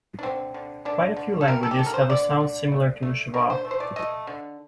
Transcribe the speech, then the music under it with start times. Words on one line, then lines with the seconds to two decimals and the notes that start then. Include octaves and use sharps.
Quite a few languages have a sound similar to schwa.
0.19 D4
0.23 D3 C4
0.54 D3
0.85 D3 D4
1.17 D3
1.41 A4
1.47 G3 A#4
1.63 A4
1.71 G4
1.79 D3 A4
1.86 A#4
1.94 C5
2.10 D3 D5
2.41 D3
2.72 A3
3.03 A3
3.34 D3 A#4
3.50 C5
3.65 A3
3.71 C5
3.80 D5
3.96 A3 D#5
4.27 D3